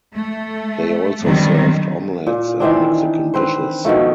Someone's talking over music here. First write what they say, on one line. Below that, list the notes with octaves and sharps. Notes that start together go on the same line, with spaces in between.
They also served omelettes and Mexican dishes.
A3
B2 D3 D#3 F#3 G3 C4
A#2
D#3 E3 C4 D4
C4 B4 C5
B2 D#3 F3 A3